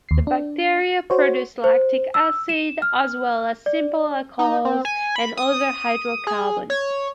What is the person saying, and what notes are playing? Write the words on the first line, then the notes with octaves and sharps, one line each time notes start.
The bacteria produce lactic acid, as well as simple alcohols and other hydrocarbons.
D#2 C7
D4
F#4 C5 C#5
C5
E6
E7
F6
D5
D#4
C4
G#5
B5
D#6
G#4
C#5